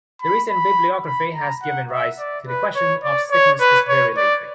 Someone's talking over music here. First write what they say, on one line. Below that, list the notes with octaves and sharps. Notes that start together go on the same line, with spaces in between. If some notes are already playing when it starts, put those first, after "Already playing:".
The recent bibliography has given rise to the question of stigmas is very leafy.
B5
B5
B5
A#5
F#5
E5
D5
B4
C#5
D5
C#5
B4
C#5
D5